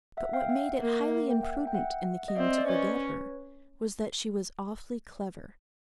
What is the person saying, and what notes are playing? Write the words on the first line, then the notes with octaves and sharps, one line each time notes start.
But what made it highly imprudent in the king to forget her was--that she was awfully clever.
E5 F#5
F5 G5
E5 F#5
A#3
G5
E5 F#5
G5
E5 F#5
D#5
C4 D5 E5
D#5
C5 D5
C#4 B4 C#5